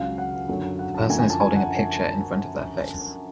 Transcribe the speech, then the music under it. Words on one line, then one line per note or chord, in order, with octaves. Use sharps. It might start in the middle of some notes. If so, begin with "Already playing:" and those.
The person is holding a picture in front of their face.
Already playing: C#2 C#3 F#3 F5
F#5
F#2 D3 F#3
F#5
A5
F#2 D3 F3 G#5
G#5
A5
G#5
F#5